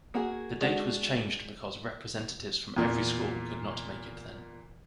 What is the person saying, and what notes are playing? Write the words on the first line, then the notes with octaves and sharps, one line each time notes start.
The date was changed because representatives from every school could not make it then.
A#3 F#4 G#4
G#3 D4 F#4
E2 A#2